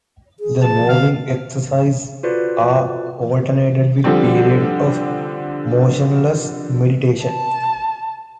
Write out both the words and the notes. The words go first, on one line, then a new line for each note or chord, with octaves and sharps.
The moving exercises are alternated with periods of motionless meditation.
G#4
A5
D3 F5
F4 F#4 A4 B4 C5 D5
D3 F3 G3 C4
A5